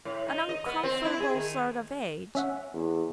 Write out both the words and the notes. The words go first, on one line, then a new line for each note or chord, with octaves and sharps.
'An uncomfortable sort of age.
A2
D#4
D#5
B3
C4
E4
G#4
D#3
C#4 E5 F#5
E2